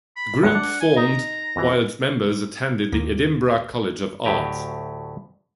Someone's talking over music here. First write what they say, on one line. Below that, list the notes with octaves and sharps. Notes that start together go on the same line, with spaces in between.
The group formed while its members attended the Edinburgh College of Art.
B5
E2 A2 F#5
D4
G#5
D#4 A#5
F2 E3
D#2 A#3 A#6
D2 A2 F#3 G4 G#5 A#5